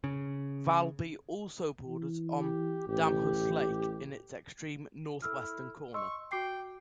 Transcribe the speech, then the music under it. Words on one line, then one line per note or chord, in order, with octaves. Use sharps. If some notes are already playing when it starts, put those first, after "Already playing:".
Valby also borders on Damhus Lake in its extreme north-western corner.
C#3
E3
G4
A1 G4
E4 A4 E6 F6
D#5 C6 C#6 E6
F#4 G5 D6 C7